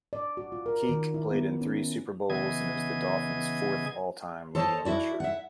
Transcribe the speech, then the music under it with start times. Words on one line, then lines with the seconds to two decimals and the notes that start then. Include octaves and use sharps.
Kiick played in three Super Bowls and is the Dolphins' fourth all-time leading rusher.
0.13 D5
0.37 F#4
0.52 F4
0.66 A#4
0.89 D#3
1.14 E4
1.31 B3
1.61 C#4
2.30 C#3 E3 B3 G#4 D#5 G#6
4.55 A4 C5 C#5 D#5 A5
4.85 E4 F#4 D5
5.20 E5 F#5